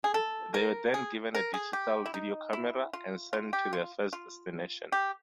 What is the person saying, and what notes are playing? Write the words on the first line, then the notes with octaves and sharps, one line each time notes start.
They were then given a digital video camera, and sent to their first destination.
G#4
A4
A#4
G#4
A#4
G#4
G4
E4
D#4
E4
F4
F4
G4
F4
F4
G4